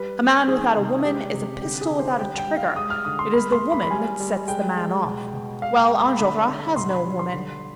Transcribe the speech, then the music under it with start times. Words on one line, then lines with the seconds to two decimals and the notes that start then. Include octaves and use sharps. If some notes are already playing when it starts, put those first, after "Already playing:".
A man without a woman is a pistol without a trigger; it is the woman that sets the man off. Well, Enjolras has no woman.
Already playing: G3 B4
0.19 G3
0.47 D#3 G#4
0.76 C3
1.04 G#3 G4
1.34 C3
1.62 D3 G4
1.81 G#4
1.90 D3
2.00 C5
2.19 G3 G5
2.38 G5
2.47 G3
2.57 F5
2.76 G#3 D#6
2.90 F6
3.05 D3 D#6
3.19 C6
3.33 G#3 B5
3.52 C6
3.61 G#3
3.72 B5
3.83 B5
3.91 G3 G#5
4.20 G3
4.47 G#3 G5
4.76 G#3
5.05 B2
5.33 B2
5.62 G#3 F5
5.76 G5
5.91 G#3
6.04 B5
6.19 D3 B5
6.48 D3
6.76 B2 C6
6.90 B5
7.05 G3
7.19 C6
7.33 D3